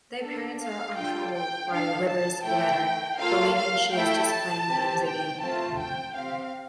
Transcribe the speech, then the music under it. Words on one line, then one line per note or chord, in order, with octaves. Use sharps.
Their parents are untroubled by River's letter, believing she is just playing games again.
D4 A4
F5
D4 F4 A4 G5
G5
D4 A4 F5
A5
A3 E4 A4 G5
A#3 F4 A4 F5
F5
A3 E4 A4 G5
A5
C4 G4
G5
A3 C4 F4 A5
G5
C4 G4 F5